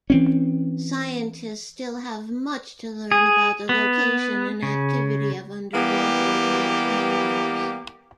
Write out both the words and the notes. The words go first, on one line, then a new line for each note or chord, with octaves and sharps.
Scientists still have much to learn about the location and activity of underwater volcanoes.
E3 C4 C#4
G#4
B3
C#3
E3 G3 A#3 B3 G4